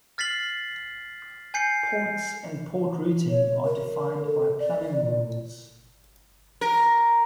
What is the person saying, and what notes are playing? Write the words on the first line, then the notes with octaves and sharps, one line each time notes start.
Ports and port routing are defined by plumbing rules.
F6 A6 B6 C7 F#7
G#5 G6 C7 C#7
C#5
A#4
A4
D5
A#4